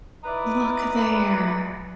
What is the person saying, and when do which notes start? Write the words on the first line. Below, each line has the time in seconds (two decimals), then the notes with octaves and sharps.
Look there.
0.24 D#4 E4 B4 D5